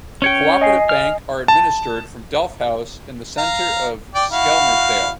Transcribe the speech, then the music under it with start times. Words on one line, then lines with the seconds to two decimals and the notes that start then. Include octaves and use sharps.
The Co-operative Bank are administered from Delf House in the centre of Skelmersdale.
0.22 C#4 C#5 G5
0.61 D#5 G#5 C7
0.89 F6
1.48 A5
3.38 F5 A#5
4.15 D5 G5
4.31 E4 F#4 F5